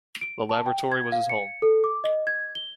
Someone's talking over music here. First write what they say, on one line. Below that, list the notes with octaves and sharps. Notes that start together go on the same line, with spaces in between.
The laboratory was his home.
D7
A5
G5
G#6
F5
C#7
A4
D6
D#5
G#6
G7